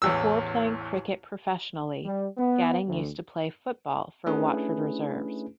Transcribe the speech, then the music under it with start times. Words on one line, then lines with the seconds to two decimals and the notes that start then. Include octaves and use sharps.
Before playing cricket professionally, Gatting used to play football for Watford reserves.
0.02 A1 E2 E6
2.04 G3
2.38 B3
2.87 D2
4.26 A3 C#4 D4 E4 G#4 B4